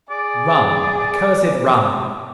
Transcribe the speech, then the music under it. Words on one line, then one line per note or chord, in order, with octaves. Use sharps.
RUM, accursed RUM!
G#4 D5